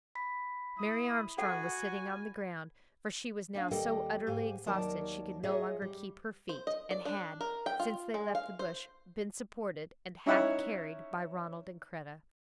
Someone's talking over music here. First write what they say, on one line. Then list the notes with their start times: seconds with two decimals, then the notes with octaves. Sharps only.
Mary Armstrong was sitting on the ground, for she was now so utterly exhausted she could no longer keep her feet, and had, since they left the bush, been supported and half carried by Ronald and Kreta.
0.15 B5 B6
0.78 E4 D#6
1.38 F#4 A4 F#5 G#5
3.55 C#4 D4 F5
3.71 D#2 G3 A4 D#5 G5
4.27 G#2 G4 F5 G#5
4.66 D#2 F#3 D#4 A#4 D5 A5
5.43 F4 G#4 C#5 D#5 E5 F#5
5.82 G3
6.49 C5
6.67 D#5
6.91 D5
7.05 D4
7.41 A#4
7.66 G5
7.80 F4
8.14 G#3
8.35 F5
8.59 C5
10.26 C#4 D#4 E4 C#5 E5 F#5